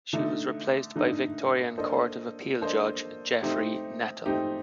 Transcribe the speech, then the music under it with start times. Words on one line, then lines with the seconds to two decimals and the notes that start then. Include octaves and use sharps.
She was replaced by Victorian Court of Appeal judge Geoffrey Nettle.
0.13 D3 A3 D#4
0.96 D3 A3 D#4
1.78 A#3 D4 A4 C5 D#5
2.61 A#3 D4 A4 C5 D#5
3.42 A3 C4 D#4 G4
4.25 A3 C4 D#4 G4